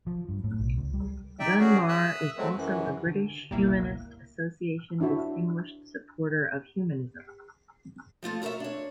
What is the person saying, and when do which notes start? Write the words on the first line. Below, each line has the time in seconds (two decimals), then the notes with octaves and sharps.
Dunbar is also a British Humanist Association Distinguished Supporter of Humanism.
0.07 F3
0.29 G2
0.44 A2
0.59 B1
0.77 C#2
0.94 G3
1.40 D#4 D5 E5 G5
1.59 C#4 F#4 G#4
1.88 E5 D#6 E6 F#6
2.37 F#3 G#3 A3 C4
2.55 F#2 E3
3.07 D3
3.51 G1 C#2 B2 G3 A#3 E4
5.01 D4 E4 F#4 E5
8.23 F3 A3 F4 A4
8.42 F#4 A#4 C5 C#5 E5
8.60 D4 C#5